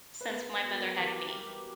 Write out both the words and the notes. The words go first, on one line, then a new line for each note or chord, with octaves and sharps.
since my mother had me,
B4
B3 A#4
B4
F#4
A#4
G4
E3 A#4
G3